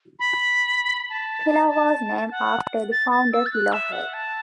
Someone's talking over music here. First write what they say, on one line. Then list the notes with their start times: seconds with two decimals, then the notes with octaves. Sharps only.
Philo was named after the founder Philo Hale.
0.19 B5
1.10 A5
1.70 A5
2.31 F#5
2.92 A6
3.11 A6
3.33 E6
3.46 A6
3.53 F#6
3.73 E5
3.92 F#5
4.14 A5